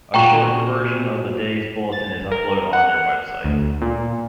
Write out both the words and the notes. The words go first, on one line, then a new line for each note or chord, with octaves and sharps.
A shortened version of the day's bulletin is upload on their website.
A#2 F#4 G#4 G5 A#5 C#6
A6
A#4
F#5
D2
A#2